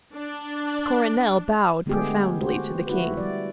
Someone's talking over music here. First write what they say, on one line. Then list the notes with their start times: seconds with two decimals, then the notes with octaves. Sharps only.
Coronel bowed profoundly to the King.
0.14 D4
1.86 D3 G#3 A3 B3 G4 G#4
2.41 F#4 G4 C5
2.87 E4 F#4 B4
3.17 G3 D5